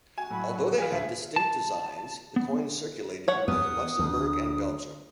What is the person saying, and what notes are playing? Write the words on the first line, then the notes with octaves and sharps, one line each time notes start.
Although they had distinct designs, the coins circulated in both Luxembourg and Belgium.
F#4 G#5
A2 F#3 B5
B4
G#4 B4 F5 G#5
D2 A2 E5
A5
B3
C#5 F#5
E2 B3 D#6
D2